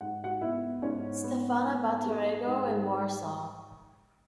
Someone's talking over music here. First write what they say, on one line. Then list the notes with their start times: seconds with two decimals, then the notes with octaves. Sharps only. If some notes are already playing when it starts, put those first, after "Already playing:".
Stefana Batorego in Warsaw.
0.01 G#2 F#5
0.24 F#4 F#5
0.41 B3 E4 E5
0.82 G#2 C#4 C#5
1.24 B3
1.65 G#2
2.05 G#3
2.47 G#2
2.68 G#4